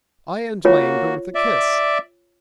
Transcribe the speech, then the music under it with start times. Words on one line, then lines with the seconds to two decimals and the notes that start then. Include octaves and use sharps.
I end my anger with a kiss.
0.65 A#3 F4 F#4 C#5
1.35 D5 E5